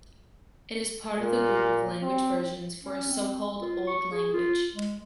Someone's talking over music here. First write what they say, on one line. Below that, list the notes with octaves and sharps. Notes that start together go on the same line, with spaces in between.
It is part of the group of language versions for a so-called old language.
A#2
C4
C#4
C4
F4
C#6
G#4
F4
G#3